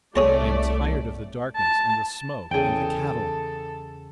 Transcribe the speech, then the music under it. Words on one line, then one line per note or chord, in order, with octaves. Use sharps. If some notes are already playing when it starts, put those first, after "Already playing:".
I am tired of the darkness and the smoke and the cattle.
C2 A3 G#4 C#5 D5 A5
A5
E2 C#3 G#4 A4 G5